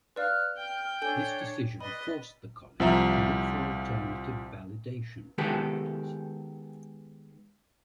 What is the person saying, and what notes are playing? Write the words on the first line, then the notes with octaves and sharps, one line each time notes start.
This decision forced the college to look for alternative validation providers.
B4 D5 F5 F6 F#6
G5 F6
D4 A4 C#5 G#5 G6
B4 D5 D#5 B5 C6
C2 F3 E5 A#5
D#3 G#3 B3 G4 A4